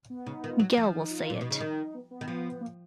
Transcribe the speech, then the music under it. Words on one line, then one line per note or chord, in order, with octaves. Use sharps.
Miguel will say it.
B3
C#3 D#4
D#3 F4
F#3
F3
D#4
F4
F4
A#2
B2 D#4
C#3
D#3
B3
B3
D#3
F3
A#3